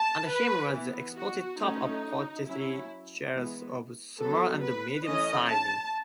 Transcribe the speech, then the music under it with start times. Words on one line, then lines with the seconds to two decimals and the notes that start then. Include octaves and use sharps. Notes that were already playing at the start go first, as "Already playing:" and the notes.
Under him were the exposed tops of pottery jars of small and medium sizes.
Already playing: A5
0.30 B4
0.73 E3 B3
1.16 F#4
1.60 F#3 A3 C#4 D#4
2.46 F#3 C#4 E4
3.34 E3 G#3 B3
4.19 F#3 B3 A4
4.63 B4
5.06 E3 A3 C#4 D#5
5.50 A5